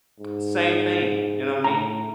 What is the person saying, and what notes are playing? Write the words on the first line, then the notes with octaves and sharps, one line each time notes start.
same thing, you know what I mean?
G#2
A2 A#5